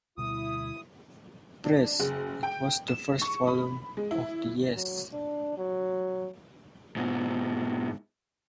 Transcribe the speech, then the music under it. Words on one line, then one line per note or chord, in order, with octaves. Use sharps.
Press, it was the first volume of the Yes!
D2 B2 G3 E4 D#6
D4
F#1
G5
E7
C#6
B5
G#3
E4
F#3
D4
F#3
G#2 B2